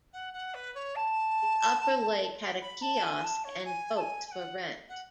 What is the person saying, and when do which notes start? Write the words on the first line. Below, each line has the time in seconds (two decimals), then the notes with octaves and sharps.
Its upper lake had a kiosk and boats for rent.
0.12 F#5
0.33 F#5
0.54 B4
0.74 C#5
0.95 A5
2.61 B5
2.81 A5
3.02 G#5
3.23 A5
3.43 C#5
3.65 G#5
3.95 A5
4.00 G#5
4.27 G#5
4.31 F#5
4.88 F#5